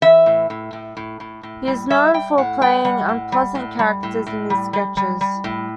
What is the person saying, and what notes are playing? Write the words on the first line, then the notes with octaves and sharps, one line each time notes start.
He is known for playing unpleasant characters in his sketches.
E3 E5
A2
A2
A2
A2
A2
A2
G3
G3 E5
G3 G5
A2 F#5
G3 G5
G3 F#5
A2
G3
A2
G3
A2
A2
G3
G3
G3
G3
A2